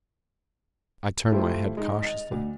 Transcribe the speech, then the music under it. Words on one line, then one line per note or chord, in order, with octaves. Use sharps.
I turned my head cautiously.
A3 E4 F4 G4 C5
G#3 D#4
D#5 A6 F7
D2